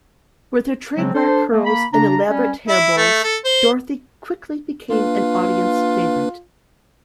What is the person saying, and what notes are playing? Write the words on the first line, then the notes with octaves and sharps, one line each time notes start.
With her trademark curls and elaborate hair bows, Dorothy quickly became an audience favorite.
C#3 F3 F#3 G#3 C4
D4 A4 C5
A3 A#3
A#3 B5
C#3 D4 A#5
G3 C#4
E4
A3
A4
C5
A#3 D4 F4 B4